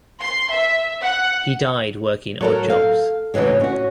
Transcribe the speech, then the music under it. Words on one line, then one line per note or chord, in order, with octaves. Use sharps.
He died working odd jobs.
C6
E5
F#5
F#3 A4 A#4
F5
D2 C#3 E3 F#3 G#3
C#4 F#4